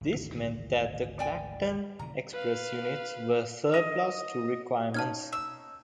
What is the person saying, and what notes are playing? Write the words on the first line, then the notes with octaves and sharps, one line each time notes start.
This meant that the "Clacton Express" units were surplus to requirements.
G#1 D2 E3
D5 G5 G#5
D#1 C#3 E3 A#5
B4 F5
D#5
C#4 D#4 A5 F6 G#6
E6